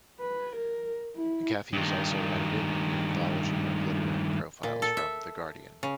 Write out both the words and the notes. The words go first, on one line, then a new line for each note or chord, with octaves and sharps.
McAfee has also edited an anthology of literary profiles from "The Guardian".
B4
A#4
E4
G2 D#3
A#2
A4
E5
C#3